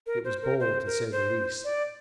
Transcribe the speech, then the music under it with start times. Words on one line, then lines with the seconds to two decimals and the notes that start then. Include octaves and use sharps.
It was bold, to say the least.
0.07 A#4
0.25 C5
0.42 A#4
0.60 C5
0.86 A#4
1.12 C5
1.64 D5